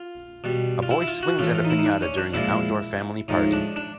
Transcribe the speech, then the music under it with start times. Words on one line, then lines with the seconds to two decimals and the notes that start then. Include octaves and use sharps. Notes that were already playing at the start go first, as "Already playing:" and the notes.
A boy swings at a pinata during an outdoor family party.
Already playing: F4
0.44 B2 G3
0.83 F4
0.91 E4
1.02 E4
1.08 F4
1.23 F#4
1.39 A2 E3 A3 F4
1.55 F4
1.65 D#4
1.70 E4
1.79 D#4
1.86 D4
2.03 C#4
2.18 D4
2.34 A#2 F3 G#3 E4
3.28 A2 F3 G#3 D#4
3.53 D4
3.76 D4